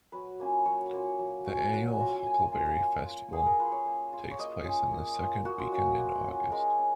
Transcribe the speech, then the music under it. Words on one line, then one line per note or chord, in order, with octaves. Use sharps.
The annual Huckleberry Festival takes place on the second weekend in August.
F#3 B4
A#3 C#4 F4
F#3 C#5
A#3 C#4 F4
F#3
A#3 C#4 F4
F#3 F#5
G#5
A#3 C#4 F4 A#5
G#5
A#3 G#5
G#5
F4 G#5
G#5
A#3
F4
A#3 G#4
A#4
F4 B4
C#5
A#3
F4
C#5
A#3 D#5
C#4 F4
A#3
C#4 F4
A#3 F#4
F4
C#4 F4 F#4
F#4
A#3
C#4 F4
G#3 A#4
C#4